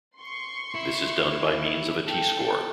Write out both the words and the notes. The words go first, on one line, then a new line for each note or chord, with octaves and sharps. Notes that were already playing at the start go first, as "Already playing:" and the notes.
This is done by means of a t-score.
C6 C#6
E4
A4 G5